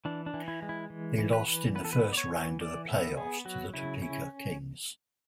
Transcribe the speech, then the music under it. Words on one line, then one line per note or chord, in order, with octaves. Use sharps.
They lost in the first round of the playoffs to the Topeka Kings.
E3 D4
D4
E3
E4
G#3
E4
E3
E3
B4
E3
B3 B4
A4
B4
B3
D5
C#5
E3
E3 D5
B3 E5
B3 G#4
F#3 F#4
C#3 E4
C#4 E4